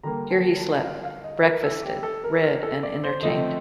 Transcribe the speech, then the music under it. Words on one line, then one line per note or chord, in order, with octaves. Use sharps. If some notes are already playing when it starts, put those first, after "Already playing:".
Here he slept, breakfasted, read, and entertained.
D3 G3 A#3 A#5
A5
A5
F5
F5
D#5
A#4
A4
G4
A4
A#4
A#4
A4
D5
C5
D3 F3 A3 C4 D#5